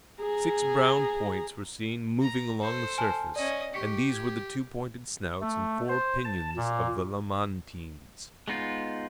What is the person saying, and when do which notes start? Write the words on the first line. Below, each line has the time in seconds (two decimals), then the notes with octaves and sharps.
Six brown points were seen moving along the surface, and these were the two pointed snouts and four pinions of the lamantins.
0.20 G#4 A#5
2.22 A#5
2.62 A4 C5
2.98 G#5 A5 F6
3.36 C#4 D5 D#5
3.74 G4 C#6 B6 C#7
4.14 G#6
5.41 A3
5.89 C5
6.25 A5
6.56 A#2
8.48 G#3 B3 D#4 F4